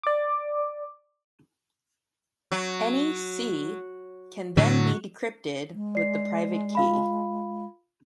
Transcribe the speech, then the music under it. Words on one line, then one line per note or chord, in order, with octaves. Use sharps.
Any "C" can then be decrypted with the private key.
D5 D6
F#3
A2 D3 F#3
G#3
D5 C7
F4 F5 B5